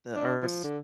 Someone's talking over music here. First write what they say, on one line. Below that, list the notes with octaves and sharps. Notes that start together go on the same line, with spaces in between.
the Earth's
D4
F3
D3